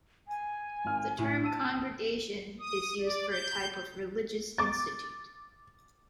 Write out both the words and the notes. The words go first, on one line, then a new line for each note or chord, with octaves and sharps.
The term "congregation" is used for a type of religious institute.
G#5
G#1 F6
A2
A5 E6 D#7
D#6
D5
G6
D6 A6